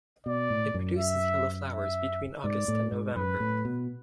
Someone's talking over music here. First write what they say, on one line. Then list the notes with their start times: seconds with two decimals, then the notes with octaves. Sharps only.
It produces yellow flowers between August and November.
0.26 B2 D5
0.50 A2
0.74 F#2
0.99 E5
1.71 E5
2.44 G#2 D5
2.68 A2
2.92 G#2
3.16 F#2 B4
3.40 A2
3.65 B2